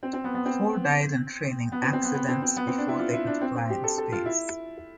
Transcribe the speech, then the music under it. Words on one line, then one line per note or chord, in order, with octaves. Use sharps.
Four died in training accidents before they could fly in space.
C4
C4
B3
B3
C4
B3
C4
C4
B3
B3
C4
C4
B3
C4
D4
E4
F4
E4
D4
C4
C4
G4
A4
A4
F4
E4